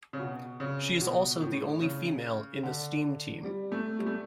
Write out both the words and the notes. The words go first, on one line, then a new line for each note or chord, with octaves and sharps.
She is also the only female in the Steam Team.
C#3
B2
C#3
B2
A2
C#3
D3
G3
A3
G3
A3